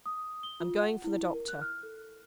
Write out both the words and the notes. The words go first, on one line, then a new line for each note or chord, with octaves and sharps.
I am going for the doctor.'
D#6
G7
F4
F#5
E4
A#4
F#6
F6
A4